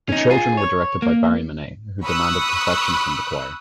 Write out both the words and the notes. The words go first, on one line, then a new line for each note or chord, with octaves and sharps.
The children were directed by Barry Mineah, who demanded perfection from the choir.
C#4 D#4
F4 G#4
C#5
A#3
B5 C#6 D#6 E6 F#6